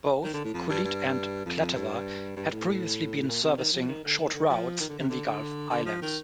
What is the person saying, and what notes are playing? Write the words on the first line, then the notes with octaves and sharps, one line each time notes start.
Both "Kulleet" and "Klatawa" had previously been servicing short routes in the Gulf Islands.
D#3
D3
A2
F2
G2
G2
F2
F2
G2
G2
A2
A#2
C3
D#3
F3
D#3
D3
D#3
D3
F3
D#3
D3
C3
D3
D3
D3
F3
D#3